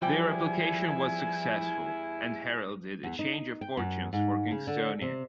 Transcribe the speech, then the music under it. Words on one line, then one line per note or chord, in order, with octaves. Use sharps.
Their application was successful, and heralded a change of fortunes for Kingstonian.
E2 F3 G3 E4 G4 G5 G#5
E2
D#4
G5
F#2
G#2
C#3
D3
C3